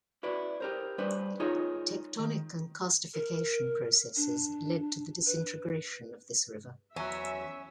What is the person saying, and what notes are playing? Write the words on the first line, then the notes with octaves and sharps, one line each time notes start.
Tectonic and karstification processes led to the disintegration of this river.
E4 F#4 B4 D5
G4 A#4 C5
G3 D4 B4 C5
D#4 F4 G#4 A#4 C#5 D#5
D#3
A#4
D4
B4
E2 F#3 C#4 E5